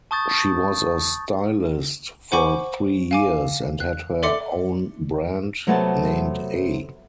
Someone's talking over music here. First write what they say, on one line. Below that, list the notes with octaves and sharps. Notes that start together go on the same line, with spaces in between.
She was a stylist for three years and had her own brand, named A.
A5 C#6 D#6 G6 A6
C5 F#5 G#5 B5 C#6 D6
F5 G#5 D6
F#6
A4 D5 E5 C6 D6 C#7
C3 F#3 A3 B3 F#5 A5